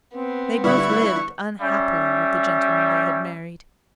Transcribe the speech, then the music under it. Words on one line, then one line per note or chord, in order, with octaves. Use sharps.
They both lived unhappily with the gentlemen they had married.
B3 C4
D3 G3 E4 C#6
G3 C#4 E5